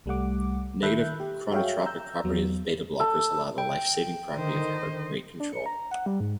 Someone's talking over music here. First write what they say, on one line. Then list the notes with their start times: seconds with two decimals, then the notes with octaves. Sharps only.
Negative chronotropic properties of beta blockers allow the lifesaving property of heart rate control.
0.06 C2 G3 A3 F#5 D6
0.83 D#3 A4 E5 B5 F#6 G6
1.20 G4
1.52 F#4 G#4 C#5 E5 F5 G5
1.85 A#5 E6 G6
2.24 E2 F#3 B3
3.00 A4
3.58 G5
4.37 D3 D#3 C5 D#5
5.40 D4
5.52 C#7
5.66 A#5
5.79 A#5
5.91 F#5
6.06 G3
6.20 G#2